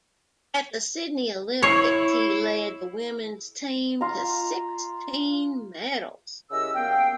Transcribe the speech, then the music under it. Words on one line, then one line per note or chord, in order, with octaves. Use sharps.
At the Sydney Olympics he led the women's team to sixteen medals.
E4 C#5 C#6 C7
F4 A#5
C#3 E4 G4 A#4 D#5 E6
F#2 A#3 B3 F5 G5